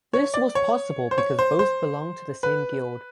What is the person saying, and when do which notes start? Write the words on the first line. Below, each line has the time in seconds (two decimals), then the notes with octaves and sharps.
This was possible because both belonged to the same guild.
0.13 C#5
0.34 D5
0.55 C#5
1.11 C5
1.18 C#5
1.39 C5
1.59 C5
2.43 B4